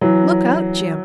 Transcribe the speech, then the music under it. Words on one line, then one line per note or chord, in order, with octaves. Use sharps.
'Look out, Jim!
E3 F#3